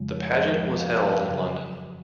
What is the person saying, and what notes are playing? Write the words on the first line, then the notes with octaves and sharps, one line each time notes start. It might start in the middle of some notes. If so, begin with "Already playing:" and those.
The pageant was held in London.
Already playing: F2 C#3 F3 G#3
C#5
G#2 F3 G#3
F5
F#2 C#3 F#3